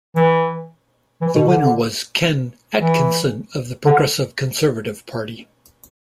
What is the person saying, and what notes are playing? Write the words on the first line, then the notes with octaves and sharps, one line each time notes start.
The winner was Ken Atkinson of the Progressive Conservative Party.
E3
E3
B2
D3
D3
E3
D3